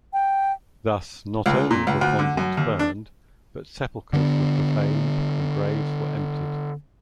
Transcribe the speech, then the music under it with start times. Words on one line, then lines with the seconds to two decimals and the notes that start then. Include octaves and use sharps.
Thus not only were convents burned, but sepulchers were profaned and graves were emptied.
0.13 G5
1.46 C#2
1.70 A#2
1.87 C#2
2.01 D2
2.19 D3
2.37 F#2
2.57 D#2
2.79 D4
4.13 D3 B3